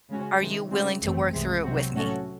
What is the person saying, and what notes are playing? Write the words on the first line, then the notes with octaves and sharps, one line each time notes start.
are you willing to work through with me?
C#3 G#3 C#4 F#4
C3 D#3 G#3
C#3 G#3 C4 F#4
G#1 F#2 E3 A3 C4
C2 C3 E3 G#3
C3 F#3 C4 F#4
A2 F#3 C#4 F#4 A4